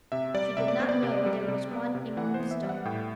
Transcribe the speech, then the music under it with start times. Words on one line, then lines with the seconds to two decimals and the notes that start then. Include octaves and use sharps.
She did not know there was one in Moonstone.
0.12 C3 E5
0.34 G3 D5
0.57 C3 E5
0.68 D5
0.79 B3 C5
0.89 D5
1.03 C3
1.26 G3
1.48 C3
1.71 B3
1.95 C3
2.17 E3 F#5
2.34 C5
2.40 B3
2.51 E5
2.63 G3
2.69 F#5
2.85 A2 G5